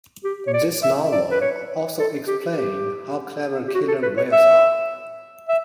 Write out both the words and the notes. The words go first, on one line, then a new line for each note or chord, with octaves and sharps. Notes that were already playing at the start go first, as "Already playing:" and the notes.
This novel also explain how clever killer whales are.
G4
C#5
D5
E5
D5
B4
C#5
A4
G4
G4
G4
F#4
A4
B4
C#5
E5
E5